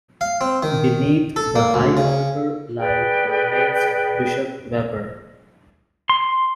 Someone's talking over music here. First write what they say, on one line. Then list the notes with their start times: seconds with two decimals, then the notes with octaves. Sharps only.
Beneath the high altar lie the remains of Bishop Webber.
0.21 F5
0.41 C4
0.63 D#3
1.36 A4
1.56 A#3
1.74 D2
1.97 C#3
2.78 G#4 B4 D5 G5
6.10 C6